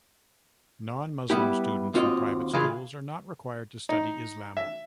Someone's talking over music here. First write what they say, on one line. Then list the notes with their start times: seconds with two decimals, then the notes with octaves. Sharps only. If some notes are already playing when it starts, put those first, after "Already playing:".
Non-Muslim students in private schools are not required to study Islam.
1.30 G3 B3 E4 G4
1.94 D#2 C4 F4 F#4 D#5
2.53 C#3 E3 F4 G#4
3.89 D#4
4.57 E5